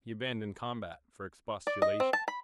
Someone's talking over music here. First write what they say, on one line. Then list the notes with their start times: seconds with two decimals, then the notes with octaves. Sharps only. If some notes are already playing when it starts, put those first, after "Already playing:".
He abandoned combat for expostulation.
1.67 D5
1.82 D#5
2.00 C4
2.13 A5
2.28 B5